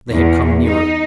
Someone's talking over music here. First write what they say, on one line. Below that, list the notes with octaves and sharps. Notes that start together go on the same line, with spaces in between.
They had come nearer.
E2
D#4